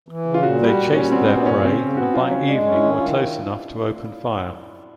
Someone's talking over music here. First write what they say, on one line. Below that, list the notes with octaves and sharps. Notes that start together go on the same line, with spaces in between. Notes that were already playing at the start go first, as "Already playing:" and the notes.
They chased their prey and by evening were close enough to open fire.
E3
C#3
F4
A#2 F#4
G3 G4
F#4
A#2
G3 C#4
B3 C4
A#2 C4
D4
F#2 C#4
C#3 C4
C#4
C#3
B3 F#4
F#3 F4
C#3 C#4
G#3 D4
C#4
E4
D#3
D#3 F4